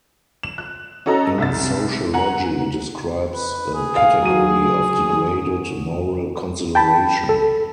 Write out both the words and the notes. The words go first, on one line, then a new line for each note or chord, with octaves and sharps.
In sociology, it describes a category of degraded moral consideration.
E7
F#6
C#4 F#4 A4 D#5 A#5
C2 E5 A6
F#5 G#5 A#5
B4
G#4
F5
F#3 D#7
G5 A5 B5
A4